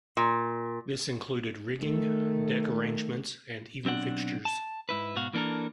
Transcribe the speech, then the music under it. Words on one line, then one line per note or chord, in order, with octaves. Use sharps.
This included rigging, deck arrangements, and even fixtures.
A#2
D#3 A3
B1 C4 D4 F#5
A5
G#2 E4 B4
G#2 B2 F#4 F5
E3 A#3 D4 A4 A#4